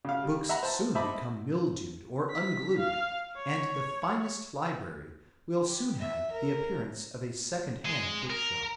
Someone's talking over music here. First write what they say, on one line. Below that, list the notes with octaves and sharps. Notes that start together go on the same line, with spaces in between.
Books soon become mildewed or unglued and the finest library will soon have the appearance of a secondhand bookshop.
C#3 F5
G3
E5 F#5 A#5 B5
C5 A5
C5 D#5 E5 A5 B5 D6
B6
F5
C#5
G4
E5
A#4
G#4 D#5
A#4